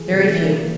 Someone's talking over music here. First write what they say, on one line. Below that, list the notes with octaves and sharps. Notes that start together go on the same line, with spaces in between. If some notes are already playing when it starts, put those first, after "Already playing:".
"Very few."
Already playing: E3 G#4
C3
E3
A#3